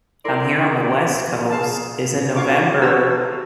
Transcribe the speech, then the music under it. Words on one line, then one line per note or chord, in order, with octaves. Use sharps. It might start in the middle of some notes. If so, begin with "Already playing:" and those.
um, here on the West Coast, is in November,
E4 A#4 D5 C6
G#4 F5 A5
D4 F#4 F5 C#6 D6
F#4 G4 A4 C5 A#5 E6